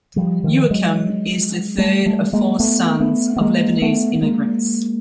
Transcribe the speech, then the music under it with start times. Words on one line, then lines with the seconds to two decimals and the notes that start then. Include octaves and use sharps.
Youakim is the third of four sons of Lebanese immigrants.
0.16 F3 G3
0.43 D#3 F3
0.71 F#3 G#3
1.78 G3 A3
2.06 G3 A3
2.33 G#3 A#3
2.60 A3 B3
3.00 A3 B3
3.37 B3
3.41 G#3 A#3
3.82 A3 B3
4.15 A3
4.22 G#3 A#3